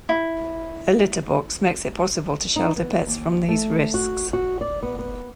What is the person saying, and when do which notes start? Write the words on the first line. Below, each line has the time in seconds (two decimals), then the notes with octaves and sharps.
A litter box makes it possible to shelter pets from these risks.
0.09 E4
2.56 D#4
2.77 B3
3.07 D#2
3.49 A3
3.94 F#4
4.33 F#4
4.61 D5
4.83 B3
4.99 B3